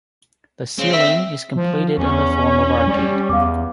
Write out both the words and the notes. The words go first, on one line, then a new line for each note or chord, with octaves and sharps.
The ceiling is completed in the form of arcade.
C#3 C4
E5
F3
E2 C#4
G3
E2 F5 D6